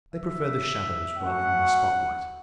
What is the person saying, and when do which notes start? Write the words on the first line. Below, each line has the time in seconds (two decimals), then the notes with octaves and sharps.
They prefer the shadows rather than the spotlight.
0.15 E5
1.18 A3 C#4 F#4 F#5